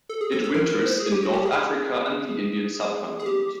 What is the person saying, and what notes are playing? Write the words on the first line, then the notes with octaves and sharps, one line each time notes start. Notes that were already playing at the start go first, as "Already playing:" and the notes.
It winters in north Africa and the Indian subcontinent.
A4
G#4
A4
A4
A#4
A#4
C5
G#4
G4
F#4
G4
G#4
G#4
G4